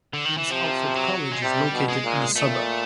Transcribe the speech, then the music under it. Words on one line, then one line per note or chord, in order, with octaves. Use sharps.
Prince Alfred College is located in the suburb.
D3
D#3
E3
C3 F3
F#3
G#3
C3 G3
B2
G#3
A#2
A#2 A3